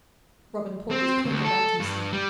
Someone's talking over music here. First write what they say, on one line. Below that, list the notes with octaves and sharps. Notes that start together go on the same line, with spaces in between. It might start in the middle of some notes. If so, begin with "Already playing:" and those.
Robin pulled his cloak about himself.
C4
D2
A4
G2
G3